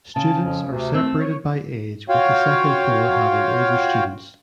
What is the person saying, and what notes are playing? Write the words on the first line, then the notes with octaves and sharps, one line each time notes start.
Students are separated by age with the second floor having older students.
C#3 A5
F2 F3
D2 C3
A3 C4 E6
C#5
F4 F#4 C#5 F5 G5